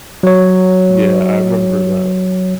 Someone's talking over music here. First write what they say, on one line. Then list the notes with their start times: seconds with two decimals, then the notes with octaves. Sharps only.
Yeah, I remember that.
0.23 F#3 C#5